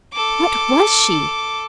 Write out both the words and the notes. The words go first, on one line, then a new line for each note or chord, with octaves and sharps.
What was she?
A4 D6